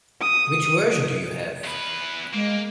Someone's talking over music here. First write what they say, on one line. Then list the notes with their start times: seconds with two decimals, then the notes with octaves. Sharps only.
Which version do you have?
0.21 D#6
1.64 E2 B4
2.34 G#3 A#3